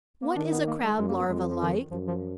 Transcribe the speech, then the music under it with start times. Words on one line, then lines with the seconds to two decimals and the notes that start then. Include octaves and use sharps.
What is a Crab larva like?
0.22 A#3
0.29 B3
0.36 D#3 D4
0.52 B3
0.67 A#3
0.84 G#3
0.98 F#2 G#3
1.08 A#3
1.19 B3
1.30 F2 G#3
1.40 F#3
1.51 F3
1.61 D#3
1.91 F#2 F3
2.08 F3